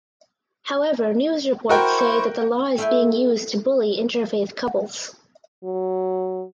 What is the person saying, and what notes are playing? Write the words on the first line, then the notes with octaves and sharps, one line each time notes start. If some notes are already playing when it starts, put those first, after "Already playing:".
However news reports say that the law is being used to bully interfaith couples.
E4 F#4 A#4 C5 G5 C#6
A3 E4 F5 G5 G#5
F#3